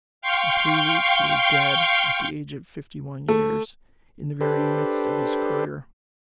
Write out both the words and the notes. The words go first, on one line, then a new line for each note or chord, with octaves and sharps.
In three weeks he was dead, at the age of fifty-one years, in the very midst of his career.
F5 G5 C6 C#6
A3
D4 G4 A4 B4 C5